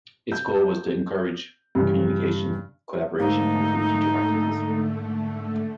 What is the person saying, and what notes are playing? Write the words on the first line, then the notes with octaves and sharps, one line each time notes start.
Its goal was to encourage communication, collaboration, and improve teacher practices.
G6
G2 C#3 E3
G#2 D3 A3 A#3 D#4